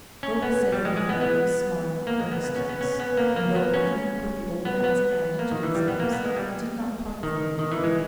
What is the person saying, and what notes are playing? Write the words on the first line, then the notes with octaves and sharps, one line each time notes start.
Though he said it with a grave smile of earnestness, and though he even put the old man's hand to his lips, he did not part from him then.
C#4
B3
G3
G#3
G#3
B3
B3
A#3
G#3
B3
B3
C#4
B3
C#4
B3
A#3
A#3
B3
C#4
B3
B3
A#3
D#3
E3
G3
B3
A#3
B3
G#3
G3
D#3
D#3
E3
G#3